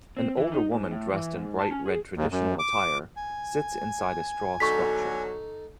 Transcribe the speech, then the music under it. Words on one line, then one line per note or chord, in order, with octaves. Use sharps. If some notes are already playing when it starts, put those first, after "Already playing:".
An older woman dressed in bright red traditional attire sits inside a straw structure.
C4
E3
D#4
G#2
A2
E3
G#2
A5
C#4
G#4
D#2
F#2
D6
G#5
B2 D3 F#3 D#4 A4 C#6 B6